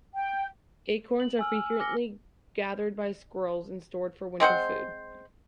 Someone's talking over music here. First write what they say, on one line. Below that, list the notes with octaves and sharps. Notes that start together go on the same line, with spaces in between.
Acorns are frequently gathered by squirrels and stored for winter food.
G5
F#7
G#5 E6 F6
G#5 D6 F6 A#6 C#7 G7
G#3 C4 C5 F#5